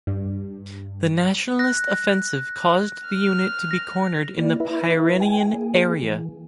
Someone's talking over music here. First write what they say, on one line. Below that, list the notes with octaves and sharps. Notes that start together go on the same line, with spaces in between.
The nationalist offensive caused the unit to be cornered in the Pyrenean area.
G2
F#6 A#6
F6
A#6
A#3 E4 D5
E4 B4 E5
G5 G#5
A#3 G#4
E3